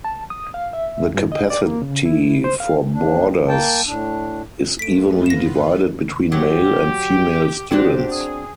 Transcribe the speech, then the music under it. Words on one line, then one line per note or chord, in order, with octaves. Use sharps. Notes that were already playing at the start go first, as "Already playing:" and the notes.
The capacity for boarders is evenly divided between male and female students.
A5
D#6
F5
E5
G2
D#5
D5
A#3
C#3
E4
C5
F5
D#2 D4
A#3 G5 A5
A2 D4
A3 B3 F4 B4 B6 D7
F#2 A#6 E7
F#3 G4
C4 D4 F#4 G4
G#4